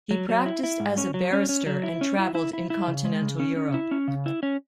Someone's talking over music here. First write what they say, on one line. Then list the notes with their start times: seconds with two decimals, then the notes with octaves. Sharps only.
He practised as a barrister and travelled in continental Europe.
0.11 F#3
0.29 F#3
0.46 E4
0.63 E4
0.80 G#2
0.98 C#4
1.14 F#3
1.33 C#4
1.49 C#4
1.66 F#3
1.83 E4
2.01 C#4
2.19 E4
2.35 E4
2.53 E4
2.70 E4
2.87 C#3
3.05 G#3
3.22 C#3
3.40 C#4
3.56 C#4
3.74 E4
3.91 C#4
4.08 C#3
4.26 E4
4.43 C#4